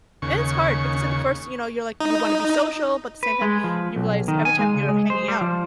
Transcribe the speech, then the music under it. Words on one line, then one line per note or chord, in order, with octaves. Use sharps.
And it's hard because at the first you know, you're like, you wanna be social, but the same time, you realize every time you're hanging out,
D#2 C#3 C#6
D#4
B4
G#3
F3
B1
D#3
G#5
G#3
C#3
G#3
C5
G3
F3